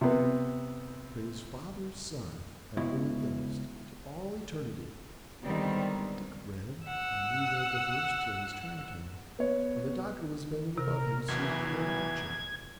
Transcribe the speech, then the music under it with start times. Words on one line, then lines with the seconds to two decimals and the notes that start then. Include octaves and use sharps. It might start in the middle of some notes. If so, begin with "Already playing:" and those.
Praise Father, Son, and Holy Ghost To all eternity! Dick read and re-read the verse till his turn came, and the doctor was bending above him seated in an arm-chair.
0.01 C3 B3
2.77 C#2 B2 E4
5.42 D3 D#3 G3 G#3 B3 C4
6.86 F#5 E6
9.39 B3 C#5
10.78 C3 A#4
11.28 B1 E2 B2 E3 G#6